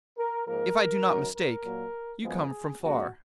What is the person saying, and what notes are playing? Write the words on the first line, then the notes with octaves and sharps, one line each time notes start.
'If I do not mistake, you come from far.
A#4
G#2 F3 A#3 A#4
F#2 D#3 F#3
A#4
A#2 F#3 A#3
F#2 F3 G#3 B3 G#4
C#2 C#3 F#3 A#3 F#4